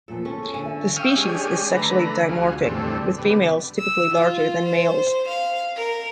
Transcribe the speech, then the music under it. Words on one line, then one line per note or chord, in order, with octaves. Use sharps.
The species is sexually dimorphic, with females typically larger than males.
E2 A#2 F3 A4
C#4 A4
D#2 D3 B3 G#5
E5
E5 F5 G5 C#6 D#6 F6
G#3 C#4 D4 G4 G#4
D3 A3 B4 A#5
D2 F4 F#4 G#4
E2 A2 D3 G3 A3 C4
D3 G3 B3
E6
F4
C5
F5
A#4